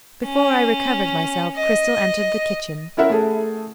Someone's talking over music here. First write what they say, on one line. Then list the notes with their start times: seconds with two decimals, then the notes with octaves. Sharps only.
Before I recovered myself, Cristel entered the kitchen.
0.25 C#4
1.57 D#5
2.97 C#4 E4 A#4 E5 F#5
3.10 A3 G#4 A4